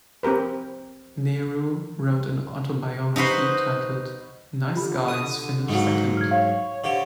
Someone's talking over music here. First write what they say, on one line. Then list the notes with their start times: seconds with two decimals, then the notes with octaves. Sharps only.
Nehru wrote an autobiography titled "Nice Guys Finish Second".
0.23 C4 G4 A#4 B4
3.16 D#4 F#4 B4 C5
4.76 D3 F4 G4 B5
5.08 D#6
5.69 G#2 C#3 F#3
6.17 F6 G#6
6.31 C#5 F5
6.84 D3 G4 C5 D#5 F5